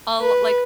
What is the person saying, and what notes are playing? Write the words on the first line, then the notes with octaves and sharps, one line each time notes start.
I'll, like
B4